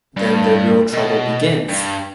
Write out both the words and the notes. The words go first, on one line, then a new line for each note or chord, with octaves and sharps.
Then the real trouble begins.
G2
B2
G2